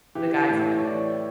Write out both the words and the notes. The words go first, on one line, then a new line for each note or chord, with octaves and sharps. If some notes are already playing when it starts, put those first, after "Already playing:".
the guys in my family.
E3 G4
A4
A2
C#5
C#5
E3 D5